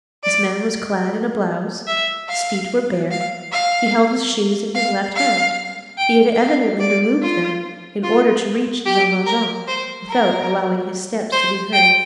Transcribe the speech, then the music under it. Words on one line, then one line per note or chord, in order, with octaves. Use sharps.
This man was clad in a blouse; his feet were bare; he held his shoes in his left hand; he had evidently removed them in order to reach Jean Valjean, without allowing his steps to be heard.
D5
E5
F5
F5
F5
F5
F5
G5
F5
D5
F4
F4
G4
A#4
C5
A#4
C5
G5